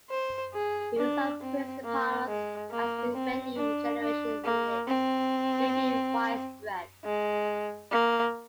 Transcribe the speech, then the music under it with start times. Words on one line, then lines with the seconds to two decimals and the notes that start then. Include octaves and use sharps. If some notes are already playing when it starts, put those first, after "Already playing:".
The use of police departments as revenue generation units may be widespread.
0.10 C5
0.53 G#4
0.97 D4
1.41 C4
1.84 A#3
2.27 G#3
2.71 A#3
3.14 C4
3.57 D4
4.01 D4
4.44 A#3
4.88 C4
7.04 G#3
7.91 A#3